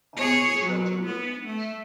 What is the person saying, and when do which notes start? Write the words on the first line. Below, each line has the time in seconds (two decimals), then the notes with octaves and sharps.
Only the shelter remains.
0.16 G#4 C#5
0.61 F#3
1.06 B3
1.46 A3